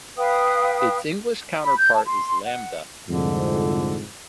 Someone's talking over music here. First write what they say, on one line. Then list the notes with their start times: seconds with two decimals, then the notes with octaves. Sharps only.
Its English counterpart is "Lambda".
0.17 B4 F5 G5 D#6
1.64 B5
1.77 G6
1.92 A5
2.04 C6
2.44 F#5
3.09 C2 F2 G#2 D3